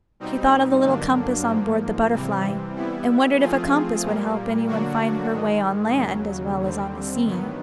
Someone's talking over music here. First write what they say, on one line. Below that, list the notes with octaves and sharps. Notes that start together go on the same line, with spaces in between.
She thought of the little compass on board the Butterfly, and wondered if a compass would help anyone find her way on land as well as on the sea.
B2 G3 C4 D#4
G2 D3 F#3 A#3 D4
G#2 F3 A#3
C3 E3 G3 C4
E3 G3 B3 E4
F3 A3 C4 F4 G#4
A#2 G3 A#3
D3 F#3 A#3 D4 F#4
G#2 D#3 G#3
D#2 C#3 F#3
D#2 D3 G3 C4
G2 D#3 F#3 B3